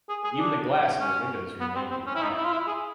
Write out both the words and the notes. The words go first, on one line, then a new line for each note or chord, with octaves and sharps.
Even the glass in the windows remained intact.
G#4
G#4
D4
C#4
B3
C4
C4
C#4
E4
D#4
E4
F4
E4
G#4